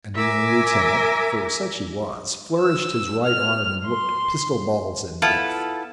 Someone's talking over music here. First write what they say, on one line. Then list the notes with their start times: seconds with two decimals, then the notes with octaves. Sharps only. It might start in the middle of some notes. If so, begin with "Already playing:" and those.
And the young lieutenant, for such he was, flourished his right arm and looked pistol-balls and death.
0.14 A#4 E5 G#5 D6
2.60 E6
3.24 F6
3.85 C6
5.22 B3 E4 F4 A4